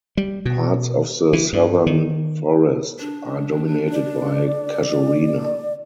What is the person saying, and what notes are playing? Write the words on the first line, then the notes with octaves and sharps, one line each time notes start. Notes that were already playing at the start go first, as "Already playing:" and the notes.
Parts of the southern forest are dominated by "Casuarina".
G3
B2
E3
G2
D#3
D4
D5